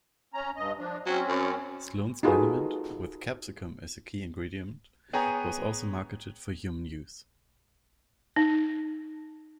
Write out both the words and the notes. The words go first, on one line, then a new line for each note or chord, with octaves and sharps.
Sloan's liniment, with capsicum as a key ingredient, was also marketed for human use.
C#4 A#5
G2 D#5
F3 D4
F#3 C4 C#4
F#2
D#4 F4 F#4 G#4 A4 B4
B3 G#4 C#5 G5 G#5 A#5
D#4